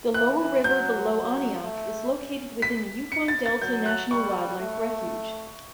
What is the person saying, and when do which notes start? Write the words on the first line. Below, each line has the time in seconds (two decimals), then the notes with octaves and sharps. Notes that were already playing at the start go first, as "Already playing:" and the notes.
The lower river below Aniak is located within the Yukon Delta National Wildlife Refuge.
0.14 E3 F#6
0.64 F#3 G6
1.13 F#3
1.63 A3
2.12 C#4
2.62 B6
3.12 C#7
3.28 A6
3.46 A6
3.61 F#3 G6
3.86 F#6
4.11 G3 C#6
4.61 A3